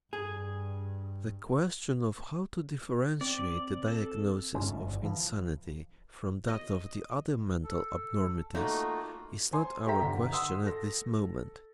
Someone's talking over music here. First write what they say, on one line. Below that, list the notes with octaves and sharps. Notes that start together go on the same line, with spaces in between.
The question of how to differentiate the diagnosis of insanity from that of the other mental abnormities is not our question at this moment.
G2 G#4
C4 D5
A4
G2 D3 G#3 C#4
G1 F2 A2
G1
E3 F3
D#5
A4
A3 A#3 D#4 F4 F#4
C5 G#5 C6
G4 A4 E5 G5 A#5 B6
G1 D3
F#5 C6 D#6 E6
A4 A#6